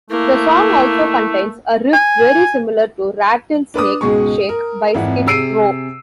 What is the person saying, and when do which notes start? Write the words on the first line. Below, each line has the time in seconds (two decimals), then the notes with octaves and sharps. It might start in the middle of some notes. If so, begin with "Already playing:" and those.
The song also contains a riff very similar to "Rattlesnake Shake" by Skid Row.
0.10 A3 A#3 E4
1.93 G#5
3.74 D4 B4 D6 D#6
4.01 C#2 G#2 B2 G#3 G#4 C#6
4.49 A#4
4.94 G#1 F2 E3 E4 F#5
5.27 C3 G#4 E6 C7 D7 D#7